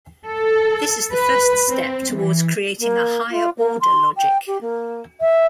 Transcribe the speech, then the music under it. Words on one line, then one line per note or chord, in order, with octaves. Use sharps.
This is the first step towards creating a higher-order logic.
A4
B4
C4
E3
A#3
F4
A#3
C6
G5
G4
A#3
E5